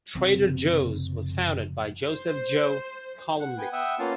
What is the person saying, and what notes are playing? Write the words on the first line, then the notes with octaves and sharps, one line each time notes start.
Trader Joe's was founded by Joseph "Joe" Coulombe.
F#1 C3 F3 C4
C5
F#5
B3 B4 G5 G#5
E5 F#5 G5 D#6 E6
A#3 B3 C#4 F4 F5 A5